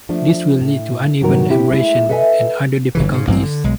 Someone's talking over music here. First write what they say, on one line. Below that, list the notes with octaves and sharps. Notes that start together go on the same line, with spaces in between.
This will lead to uneven abrasion and other difficulties.
F3 A3 D4
A2
G2 A#2 D#3 F#3 F#4 A#4
C3 C4 E4 G4
G#3 A3 E4
A4 B4 D#5 E5 F#5 G#5
G1 C#3 E3
G#2 C#3
A1 G2 F#3 C4
D3
B1 G#3